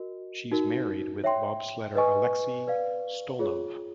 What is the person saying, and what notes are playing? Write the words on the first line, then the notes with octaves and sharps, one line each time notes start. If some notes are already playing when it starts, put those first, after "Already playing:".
She's married with bobsledder Alexey Stulnev.
Already playing: F#4 A#4 D#5
D#4 F#4 A#4
C#5 E5 G5 C6
B4 D#5 G#5 C#6
B4 D5 F5
F4 G#4 C#5